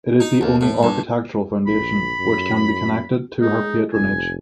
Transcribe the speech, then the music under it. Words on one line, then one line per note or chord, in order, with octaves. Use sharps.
It is the only architectural foundation which can be connected to her patronage.
D#4
D#2
A2
G2
A#1 B5
F#2
G#3 D#4
F1 G#5